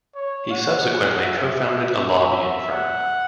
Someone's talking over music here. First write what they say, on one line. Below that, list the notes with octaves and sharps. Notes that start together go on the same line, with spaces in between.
He subsequently co-founded a lobbying firm.
C#5
F#5
E5
E5
F#5